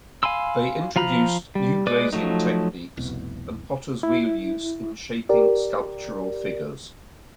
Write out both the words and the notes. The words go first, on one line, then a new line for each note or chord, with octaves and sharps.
They introduced new glazing techniques and potter's wheel use in shaping sculptural figures.
F5 G#5 B5 C6 E6
F3 F5 A#5 B5 F6
G3
G#3 B4 D5 D6
F3 F#3 A3 D#4
F1 C2 B2
E4
G4 A#4 D5